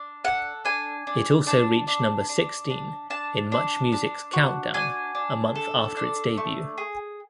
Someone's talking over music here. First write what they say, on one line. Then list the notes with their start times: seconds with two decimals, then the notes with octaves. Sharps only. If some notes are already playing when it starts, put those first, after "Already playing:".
It also reached number sixteen in MuchMusic's "Countdown" a month after its debut.
Already playing: D4
0.24 A4 F#5
0.65 D4 G#5
1.07 D4
1.47 D4 A5
1.87 D4
2.29 D4
2.70 D4
3.10 D4 A5
3.52 D4
3.92 D4
4.33 F#4
4.74 D4 G#5
5.15 D4
5.56 A4
5.97 D4
6.38 A3
6.78 G#4